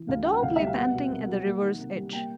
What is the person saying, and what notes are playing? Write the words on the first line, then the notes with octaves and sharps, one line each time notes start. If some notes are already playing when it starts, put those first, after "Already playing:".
The dog lay panting at the river's edge.
Already playing: E3
D2 F5
D3 G5
F#5
D2 F5
G3 E5
F5
B3 F#5
B2
C2
F#3
A#3
D#3
C3
G3
A#3 G5